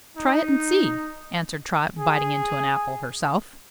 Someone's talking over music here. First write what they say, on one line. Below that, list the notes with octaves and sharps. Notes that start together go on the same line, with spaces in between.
"Try it and see," answered Trot, biting into an apple herself.
D#4
G#4